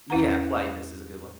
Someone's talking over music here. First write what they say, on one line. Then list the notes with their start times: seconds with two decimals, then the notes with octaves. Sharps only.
Yeah. Politeness is a good one.
0.10 E2 C#4 E4 B4 F#5 A#5